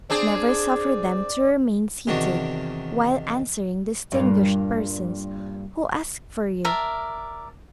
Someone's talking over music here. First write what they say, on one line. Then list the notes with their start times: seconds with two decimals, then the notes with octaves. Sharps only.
Never suffer them to remain seated while answering distinguished persons who ask for you.
0.10 C4 D4 G#4 D5
2.07 E2 C3 D#3 D4 F#4
4.12 G2 A#2
6.65 A#4 D5 E5